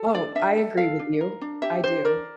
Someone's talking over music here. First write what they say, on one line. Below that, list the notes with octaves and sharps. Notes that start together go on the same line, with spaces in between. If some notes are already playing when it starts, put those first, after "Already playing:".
Oh, I agree with you, I do.
Already playing: A4
D4 D5
D4 E5
A4
A4 F5
D4
A#4
D4
G4 E5
D4 C5
A#4 D5